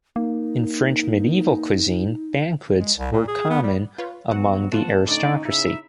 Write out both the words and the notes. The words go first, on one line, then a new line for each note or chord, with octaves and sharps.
In French medieval cuisine, banquets were common among the aristocracy.
A#3 D#4
G#3
C2
A#2
G#4
B3
G3
F4 B4 C#5
F#3 B3 F#4 F#5
F3 A3 B3 F4 F#4 A5
A2 D3 C#4 D#4 D5
C#3 D#4 E4 E5